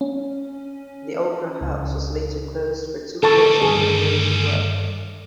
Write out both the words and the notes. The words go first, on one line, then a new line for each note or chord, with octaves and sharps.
The Opera House was later closed for two years of restoration work.
C#4
C#2
D2 G3 A4 A5 C#6
G2 D#3 G#4